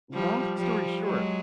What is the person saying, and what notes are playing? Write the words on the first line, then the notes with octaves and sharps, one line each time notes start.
long story short,
F3 G3
F3 G3
F#3 G#3